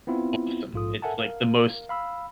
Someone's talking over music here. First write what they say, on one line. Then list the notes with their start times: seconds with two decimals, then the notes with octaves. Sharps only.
awesome. It's, like, the most
0.07 B3 C4 E4 F4
0.73 A#1 G#2 F4 A4 D#6
1.02 A4 A#4 E5 F#5 G#5 A5
1.18 A#4 F5
1.89 F5 B5 E6